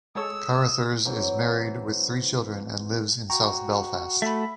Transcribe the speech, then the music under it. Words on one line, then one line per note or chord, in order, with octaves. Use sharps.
Carruthers is married with three children and lives in south Belfast.
G#3 A4 C#5 D#6 E6
E3 F#3 C4
F#4 G5 A#5 C#6
A3 E5 B5